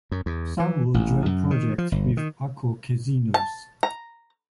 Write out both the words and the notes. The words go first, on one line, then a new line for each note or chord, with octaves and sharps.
Some were joint projects with Accor Casinos.
F#2
E2
E3
A1
F#2
D#3
F3
G1
D#3
A5
A#5